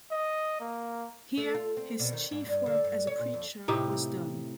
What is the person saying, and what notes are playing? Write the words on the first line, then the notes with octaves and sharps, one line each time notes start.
Here his chief work as a preacher was done.
D#5
A#3
A3
F4
C4
B2
D#3
G#2
G2
D3
G2
C#5
A#2
F2
A2 C3 D#4 G4